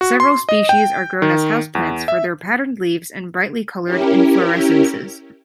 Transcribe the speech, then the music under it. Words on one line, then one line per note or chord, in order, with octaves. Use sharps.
Several species are grown as houseplants for their patterned leaves and brightly coloured inflorescences.
F#4
C6
D#5
G5
D#3
E2
E5
C#4 E4 G4 A#4